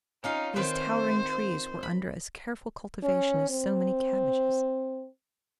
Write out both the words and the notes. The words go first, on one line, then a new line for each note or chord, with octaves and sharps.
These towering trees were under as careful cultivation as so many cabbages.
C#4 D#4 F4 F5
D#3 C4 B4 C5
B5
C#4
C4